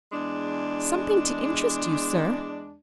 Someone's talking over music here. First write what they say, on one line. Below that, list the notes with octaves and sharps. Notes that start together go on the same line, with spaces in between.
"Something to interest you, sir."
E2 G#3 D4